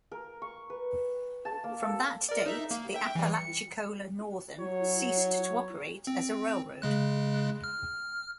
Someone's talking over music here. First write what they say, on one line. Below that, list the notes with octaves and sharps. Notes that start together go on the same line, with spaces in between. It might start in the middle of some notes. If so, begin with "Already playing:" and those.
From that date the Apalachicola Northern ceased to operate as a railroad.
A#4
C#6
B4
A5
A#3
A4
A#4 D5
D#4 E5
A#3
E5 G5
E3 G3
C#7
F#3 C#5
C4
C#3 G#3 F#6
F6